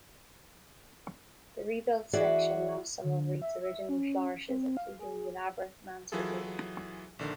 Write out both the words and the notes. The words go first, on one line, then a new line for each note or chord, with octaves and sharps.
The rebuilt section lost some of Reed's original flourishes including the elaborate mansard roof.
E3 F#4 G#4 D5 E5
D3
E5
E5
C#4
C4
F5
G#4
E3 F#3 E4 F4 G#4 A4
A#1 D3 D#3